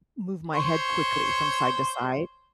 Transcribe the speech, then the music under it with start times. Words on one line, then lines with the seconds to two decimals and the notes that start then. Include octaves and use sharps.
move my head quickly from side-to-side,
0.53 C5 C#5